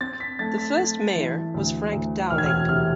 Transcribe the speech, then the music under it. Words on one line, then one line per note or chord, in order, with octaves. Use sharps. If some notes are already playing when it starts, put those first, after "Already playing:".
The first Mayor was Frank Dowling.
C4 A6
B6
A3 A6
B6
A3 A6
E3
D2
D2
E1 F6
G#6
F6
C3 F6